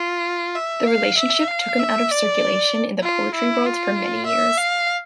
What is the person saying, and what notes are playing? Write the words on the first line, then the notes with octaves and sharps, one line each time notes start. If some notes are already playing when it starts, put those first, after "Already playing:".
The relationship took him out of circulation in the poetry world for many years.
Already playing: F4
E5
F5
E5
F5
E5
D5
F4
E4
F4
E5
F5